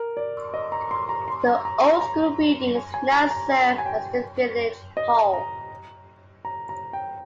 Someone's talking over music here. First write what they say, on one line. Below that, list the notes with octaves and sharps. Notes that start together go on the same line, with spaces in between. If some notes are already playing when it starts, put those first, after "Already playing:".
The old school buildings now serve as the Village Hall.
Already playing: A#4
D5
D#5
A#5
C6
A#5
C6
A#5
A#5
A#5
A#5
G#5
G#5
A#5
A#5
G#5
G#5
G5
D#5
A#5
A#5
A#5
G5